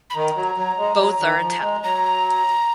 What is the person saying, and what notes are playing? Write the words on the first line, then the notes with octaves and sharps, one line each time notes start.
Both are Italian.
B5
D#3 A#5
F#3
F#3
G#3
F#3
D#3
F3
G#3
F#3 A#5